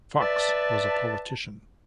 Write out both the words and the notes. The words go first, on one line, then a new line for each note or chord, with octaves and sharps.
Fox was a politician.
B4 D5 E5 A5